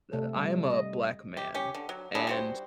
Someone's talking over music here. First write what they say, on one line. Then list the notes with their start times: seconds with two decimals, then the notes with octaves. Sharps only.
uh, I am a black man, and,
0.13 C3 A3 A4
0.36 G3
0.70 D#5
1.37 G4
1.55 C#4 G4
1.74 D3
1.89 F#3
2.15 F#3 G#3 D4 E4
2.27 G3 F#4 C5